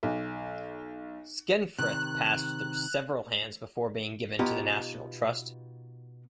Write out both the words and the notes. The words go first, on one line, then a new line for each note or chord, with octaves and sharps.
Skenfrith passed through several hands before being given to the National Trust.
B1
C3 D#3 F#6
B2 B3 D#4 F4 G4 A#5